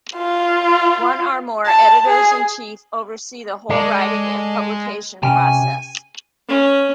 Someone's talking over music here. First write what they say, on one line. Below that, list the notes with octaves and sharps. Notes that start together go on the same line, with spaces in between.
One or more Editors-in-Chief oversee the whole writing and publication process.
F4
A5
G#4
G#3 A4 D5
C3 C#4 G5 G#5
C#4